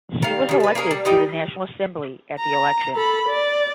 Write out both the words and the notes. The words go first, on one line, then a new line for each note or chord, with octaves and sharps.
She was elected to the National Assembly at the election.
D#3 G3 F5
D#3 G3
B4 A5
A#3 C#4 G#4 A#4
G3
D#3 G3 D#4 G5
A#5
A4 B5
D5